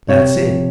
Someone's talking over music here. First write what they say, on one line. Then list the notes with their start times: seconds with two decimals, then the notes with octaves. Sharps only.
Dat's it.
0.09 C3 C#5
0.35 F3